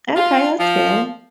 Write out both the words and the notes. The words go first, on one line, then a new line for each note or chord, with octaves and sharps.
Okay, that's good.
F4
F3